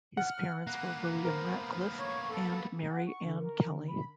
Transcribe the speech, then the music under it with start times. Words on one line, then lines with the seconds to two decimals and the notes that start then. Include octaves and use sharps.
His parents were William Ratcliffe and Mary Ann Kelly.
0.17 F#5 F6
0.67 A#3 B3 F#6
1.25 A#4 C5
1.98 C#5 C#6
2.28 A4
2.90 F#5
3.07 C#6
3.25 D3
3.38 A#4
3.68 D3
3.88 B5